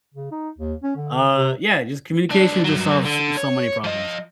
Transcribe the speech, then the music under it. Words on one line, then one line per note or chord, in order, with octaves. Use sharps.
Uh, yeah, just communication just solves s so many problems.
C#3
D#4
D#2
C#4
D3
C3
C#2 D4
G2 F#3
F#2
D3
C#5
F3 D#5